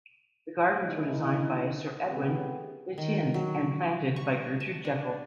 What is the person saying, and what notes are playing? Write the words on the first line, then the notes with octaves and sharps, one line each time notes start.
The gardens were designed by Sir Edwin Lutyens and planted by Gertrude Jekyll.
D#2 C#4 D#4 E4
C3 F3 A3 B3 G4 G#4
D#3
F#3
C#6
A5
D4